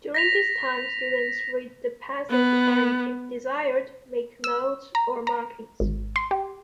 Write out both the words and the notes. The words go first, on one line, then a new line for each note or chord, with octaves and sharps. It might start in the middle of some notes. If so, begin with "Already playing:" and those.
During this time, students read the passage and, if desired, make notes or markings.
A#6 B6 F7
B3
E6
A#5
A#5
G#1
C6
G4